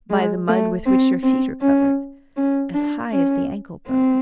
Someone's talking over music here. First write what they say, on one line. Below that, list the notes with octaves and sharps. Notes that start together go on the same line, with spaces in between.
"By the mud with which your feet are covered, as high as the ankle-bone."
G#3
A3
C4
C4
C#4
C#4
D4
C#4
C4